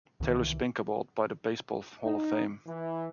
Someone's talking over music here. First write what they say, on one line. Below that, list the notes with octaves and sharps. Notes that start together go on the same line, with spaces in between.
Taylor Spink Award by the Baseball Hall of Fame.
C2 D#3 E3
D#4
E3